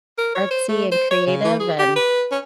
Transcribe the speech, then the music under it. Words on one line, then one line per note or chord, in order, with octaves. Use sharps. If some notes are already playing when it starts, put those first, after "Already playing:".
artsy and creative, and,
A#4
C#5
C5
A3
C5
C#5
C#3
E3
G#4
G4
B4
C#4